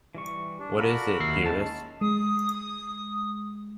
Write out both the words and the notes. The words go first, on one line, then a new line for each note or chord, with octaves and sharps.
What is it, dearest?
E3 G3 C#6
D4
F4 F#4 A4 A#4 D5 B5
D#2 E4 E6 C7
D#3 G#3 C#4 A5
G#3 D#6